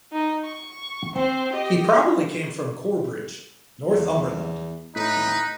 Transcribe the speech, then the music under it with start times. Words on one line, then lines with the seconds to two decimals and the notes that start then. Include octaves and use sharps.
He probably came from Corbridge, Northumberland.
0.13 D#4 D#5
0.44 C#6
1.15 C4 C5
1.53 G4 D#5
3.90 E2
4.96 A2 D#4 B4